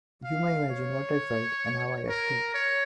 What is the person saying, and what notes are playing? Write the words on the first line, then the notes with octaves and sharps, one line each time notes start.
You may imagine what I felt and how I acted.
F5
C#5
A#4
C#5